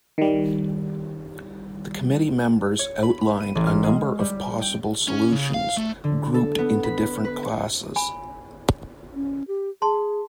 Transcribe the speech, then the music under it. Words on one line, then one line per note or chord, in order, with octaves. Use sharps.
The Committee members outlined a number of possible solutions grouped into different classes.
D#3 G3
C#5
B5
B5
D#7
A1
F6
G#3
G3
G5
C#4
C#3
F5
A3
D3
A4
B3
B5
B4
G#5 B5
C#4
G4
G#4 A5 C6